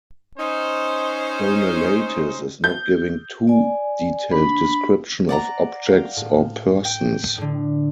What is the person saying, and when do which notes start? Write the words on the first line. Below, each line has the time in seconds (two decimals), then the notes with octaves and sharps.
Donelaitis is not giving too detailed description of objects or persons.
0.38 C#4 D#4 C5
2.64 G6
3.47 D5 G#5
4.33 D4 B5
5.29 D5 F#5 A#5
5.88 F5 G5 A#6
6.16 A2
6.85 G5
7.38 A2 D3